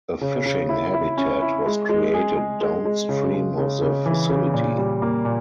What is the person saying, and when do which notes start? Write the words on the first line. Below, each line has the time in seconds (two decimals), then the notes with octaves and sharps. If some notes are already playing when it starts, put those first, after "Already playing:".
A fishing habitat was created downstream of the facility.
0.21 C#3
0.46 C#3
0.69 E4
0.93 E4
1.18 C#4
1.42 E4
1.66 G#3
1.89 G#3
2.14 G#4
2.37 G#3
2.61 G#3
2.85 G#3
3.09 C#3
3.34 C#3
3.58 C#3
3.82 C#3
4.06 E3
4.29 C#3
4.54 A#2
4.78 G3
5.02 A#3
5.25 A#2